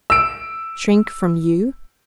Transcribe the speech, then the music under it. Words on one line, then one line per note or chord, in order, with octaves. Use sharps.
"Shrink from YOU?"
E6 D7